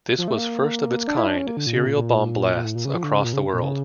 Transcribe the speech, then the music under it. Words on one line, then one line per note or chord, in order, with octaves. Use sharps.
This was first of its kind serial-bomb-blasts across the world.
F3
A3
A#3
D4
E4
D4
C#4
A#3
D3
A#2
C#3
A#2
A#2
A#2
A2
A#2
C#3
F3
D3
C#3
A#2
C#3
A#2
C#3